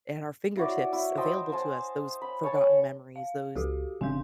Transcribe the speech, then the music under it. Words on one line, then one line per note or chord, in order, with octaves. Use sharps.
at our fingertips available to us, those forgotten memories, those
E4 F#4 D5
E4
C5 D#5 G5 A5
C5 G#5 A5
B5
C#5 G#5 A5
F5
C#2 F#4 G4 A4
F1 C#3 C4 D4 G#5 C6 G6